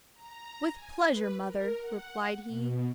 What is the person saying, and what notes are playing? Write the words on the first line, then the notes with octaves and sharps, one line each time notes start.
'With pleasure, mother,' replied he.
A#5
G#5
B4
A#4
F#5
B2